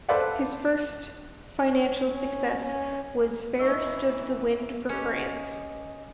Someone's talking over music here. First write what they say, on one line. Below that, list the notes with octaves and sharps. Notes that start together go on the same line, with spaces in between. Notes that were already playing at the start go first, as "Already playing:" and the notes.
His first financial success was "Fair Stood the Wind for France".
A4 B4 C5 D5 F5 F#5
C#5
C#4
C#4
E3 D#4 C5 D#5 C#6 E6
C#4 G4 A4 B4 D#5